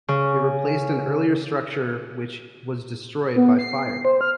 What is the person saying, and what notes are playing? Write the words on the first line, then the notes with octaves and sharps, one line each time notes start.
It replaced an earlier structure which was destroyed by fire.
C#3
B3
C7
C5
F6